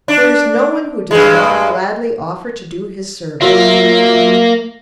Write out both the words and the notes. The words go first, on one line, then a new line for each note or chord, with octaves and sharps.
There is no one who does not gladly offer to do his service.
D4
G2 G#3
F#3 A#3 F4 E5